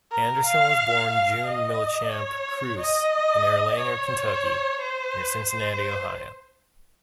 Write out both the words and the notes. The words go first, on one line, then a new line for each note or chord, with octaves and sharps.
Anderson was born June Millichamp Kruse in Erlanger, Kentucky, near Cincinnati, Ohio.
A#4
F5
F5
D#5
C#5
D#5
C#5
C5
C5